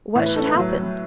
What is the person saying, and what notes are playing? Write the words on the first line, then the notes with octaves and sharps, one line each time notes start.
"What should happen?"
A2 E3 B4
B4
A4
B4
A2 F#3